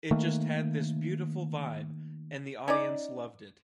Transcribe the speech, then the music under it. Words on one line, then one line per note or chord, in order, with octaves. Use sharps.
It just had this beautiful vibe and the audience loved it.
D#3 A3 A#3
C#4 D#4 D5